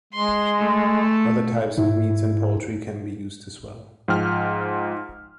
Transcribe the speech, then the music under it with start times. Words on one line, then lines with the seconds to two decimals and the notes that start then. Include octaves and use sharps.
Other types of meats and poultry can be used as well.
0.13 G#3 C6
0.58 A3
1.78 G#2 E4
4.08 G#2 F3 G5 F6